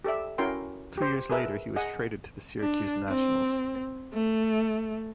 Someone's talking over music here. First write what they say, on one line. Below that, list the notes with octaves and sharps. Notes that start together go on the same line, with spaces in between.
Two years later he was traded to the Syracuse Nationals.
G4 A4 D5 E5
C#4 E4 F#4 A#4 G5 C6
G4 C5
G#4 A#4 B4 E5 A5
G#4 D#5 F#5 D#6
D4
C4
A3